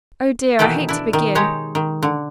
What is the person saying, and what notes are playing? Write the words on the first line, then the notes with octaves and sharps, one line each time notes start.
Oh, dear, I hate to begin.
B2 D#3 E3 A4 B4 G5
D4 E4
D#3
G#3 D#4 G4 C#5
D#3
D3